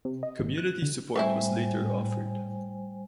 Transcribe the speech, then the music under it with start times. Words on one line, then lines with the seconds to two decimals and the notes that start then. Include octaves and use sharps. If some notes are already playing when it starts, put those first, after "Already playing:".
Community support was later offered.
0.05 C3
0.23 D#5
0.39 G#1
0.58 F#6
0.82 D3
1.16 A2 G3 A3 C4 E4 C5 G#5